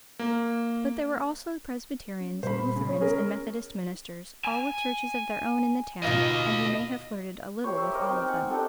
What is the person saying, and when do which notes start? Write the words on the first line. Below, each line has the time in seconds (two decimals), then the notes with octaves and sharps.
But there were also Presbyterians, Lutherans, and Methodist ministers, all with churches of their own in the town, and he may have flirted a little with all of them.
0.19 A#3
2.21 C#4
2.43 A#2 G3 C5 B5
2.76 C#3
2.89 B3 C#5
3.01 C#4 G#4 A#4
4.45 G#5
6.03 B2 D#4 F4 D#5 F5
7.64 G4 A#4 C5 C#5
7.77 D5 E5
7.93 A#4 C#5 D#5
8.08 C4 D#4
8.28 F#5 G#5
8.50 D4 D#4 G4 A4